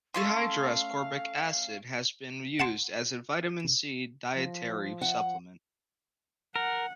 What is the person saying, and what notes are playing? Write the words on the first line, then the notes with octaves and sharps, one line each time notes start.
Dehydroascorbic acid has been used as a vitamin C dietary supplement.
A3 C#4 F5 C6
F#5 A5 C6
F3
F#5
A#4 F#5